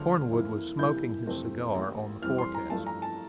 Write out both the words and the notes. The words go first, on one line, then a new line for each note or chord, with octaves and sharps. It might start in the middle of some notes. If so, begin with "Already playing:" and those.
Cornwood was smoking his cigar on the forecastle.
Already playing: E1 D2 D3 F3 F6
F2 E3 A#3 E4
C2 C3 E3 A#3 E4 G6
F2 C3 E3 A3 C4
A1 A2 E3 A#3
F2 E3 G3 C4 F6
C6
A#5
G2 F3 A3 E4 A5
A#5
A5